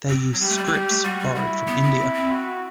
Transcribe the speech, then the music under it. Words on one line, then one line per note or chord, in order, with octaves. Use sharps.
They used scripts borrowed from India.
C4
F#3
G3 G4
A3
G3
A3
G3
A3
G3 F#4
G3
G3 E4
B3
C4
C4
C4
F#4